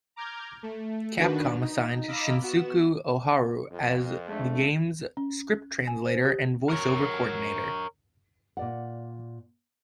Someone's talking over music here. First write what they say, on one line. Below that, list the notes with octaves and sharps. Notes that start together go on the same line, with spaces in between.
Capcom assigned Shinsaku Ohara as the game's script translator and voice over coordinator.
A#5 D6 F6 G6 G#6
A3
D#3 D4 F#4 B4
D#4
D#5 F5 A#5 B5 D6 E6
B3 F#4 E7
F2
G#3 A3 D4
C#4
G#5
C5
G4
A#4 C#5
A#2 D5 F#5